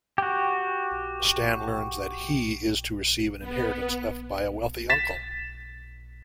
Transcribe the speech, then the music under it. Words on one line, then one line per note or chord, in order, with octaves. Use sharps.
Stan learns that he is to receive an inheritance left by a wealthy uncle.
F#4 G4
B3
A6 B6 E7